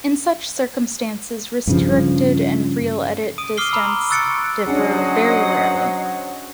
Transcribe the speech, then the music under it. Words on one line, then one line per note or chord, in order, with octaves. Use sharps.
In such circumstances, restricted and real edit distance differ very rarely.
G2 C#3 F3
D#6 D7 D#7
D6 D#6 F6 C7 G7
A#5 B5 E6
C6
C#6 E6 F#6 A6 C#7 D7
F#3 C#4 D4 G#4 C5 D#5 F#5